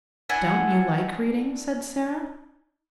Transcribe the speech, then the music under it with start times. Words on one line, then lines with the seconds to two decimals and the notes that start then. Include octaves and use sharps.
"Don't you like reading?" said Sara.
0.29 D4 E4 F#5 G#5